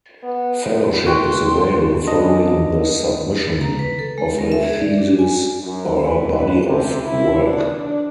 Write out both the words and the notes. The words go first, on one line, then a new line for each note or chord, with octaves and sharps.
Fellowship is available following the submission of a thesis or a body of work.
B3
F#4 G5 C6
D4 D#5
A#5
B4
A4
G#3
A#4
E5
G#4
D5
D4
G#5
F#2
E3
B4
C3
E4
D4
D4